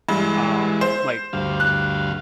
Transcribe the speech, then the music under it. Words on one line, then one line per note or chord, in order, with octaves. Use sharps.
Um, like
G2 E3 G#3
C5
D2 G2 F5
F#6